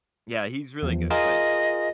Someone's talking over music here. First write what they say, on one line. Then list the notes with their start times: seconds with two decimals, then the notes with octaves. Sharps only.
Yeah, he's really good, but,
0.83 E2 F3
1.10 F4 G#4 A#4 D#5